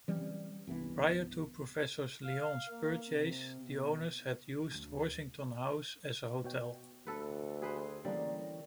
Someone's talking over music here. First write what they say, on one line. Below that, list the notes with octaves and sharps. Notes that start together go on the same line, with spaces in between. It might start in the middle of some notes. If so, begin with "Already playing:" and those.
Prior to Professor Lyon's purchase, the owners had used Horsington House as a hotel.
E3 G3 C4 C#4
G1 C2 E3 B3
F5
A#3
C3
B2
D2 D4
B2 C#5 G5
D2 A4 B4
F#4 G#4 B4 C5
D3 E3 G3 A#3 C#4 D4 A#4